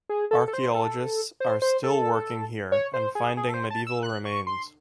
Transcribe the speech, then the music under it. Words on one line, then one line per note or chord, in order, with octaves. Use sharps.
Archeologists are still working here and finding medieval remains.
G#4
A4
A4
C5
A4
C5
C5
A4
C#5
C5
G#4
G#4
A4
C5
A5
E6
F#6
C#6
C6